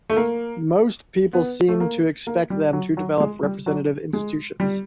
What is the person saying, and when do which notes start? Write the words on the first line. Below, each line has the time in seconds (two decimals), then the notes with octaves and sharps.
Most people seemed to expect them to develop representative institutions.
0.10 A3
0.17 A#3
1.33 B3
1.68 A3
1.80 A#3
2.27 A#3
2.50 G3
2.73 F#3
2.97 F#3
3.20 G#3
3.43 G3
3.66 F#3
4.13 G#3
4.60 G3